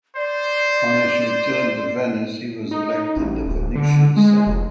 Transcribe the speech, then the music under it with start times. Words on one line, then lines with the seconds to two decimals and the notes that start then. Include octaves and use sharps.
On his return to Venice he was elected to the Venetian Senate.
0.16 C5 D5
2.71 D#4
3.17 A1
3.46 D1
3.75 D3
4.17 G#3
4.47 F1